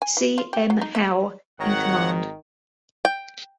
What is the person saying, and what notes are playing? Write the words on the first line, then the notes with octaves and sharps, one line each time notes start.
C. M. Howe in command.
G#5
E3
F4
G4
F#3
D#4
E5
G#1 D#3 C#5 F#5 A#5
G5